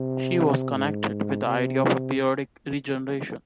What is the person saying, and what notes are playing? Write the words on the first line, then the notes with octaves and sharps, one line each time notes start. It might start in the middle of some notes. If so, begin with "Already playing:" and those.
She was connected with the idea of a periodic regeneration.
Already playing: C3
G#2
C3